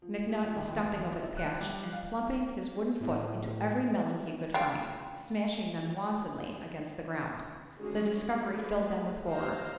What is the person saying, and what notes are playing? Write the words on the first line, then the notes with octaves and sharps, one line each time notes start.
McNutt was stumping over the patch and plumping his wooden foot into every melon he could find, smashing them wantonly against the ground. The discovery filled them with horror.
F3
G#4
F2
D#2
E3
E2
F2
E5
F#6
G3
F5
A2
C#3 F4 G5
D3 G#3 C#4 F#4 G#4
G#3 A3 B4
D#4 G4 C5 F5 A#5